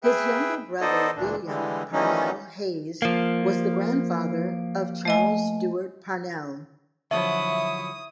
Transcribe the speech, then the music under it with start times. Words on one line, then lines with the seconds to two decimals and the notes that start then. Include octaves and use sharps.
His younger brother William Parnell-Hayes was the grandfather of Charles Stewart Parnell.
0.04 G#4 B4 E5 G5
0.81 B3 D#4 A4 C5 D5 D#5
1.16 D2 A#2 E3 D4
1.46 D3 E3 G3 G#3
1.93 D#3 E3 G3 A3 C#4 D#4
3.02 F3 A#3
5.05 A3 D#5 G#5
7.11 D3 F3 F#3 E4 E5 C#6 D#6